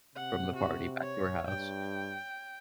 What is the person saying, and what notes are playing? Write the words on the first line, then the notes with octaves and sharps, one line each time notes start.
from the party back to her house,
C3 F#5
F#4
C#5
G2 G5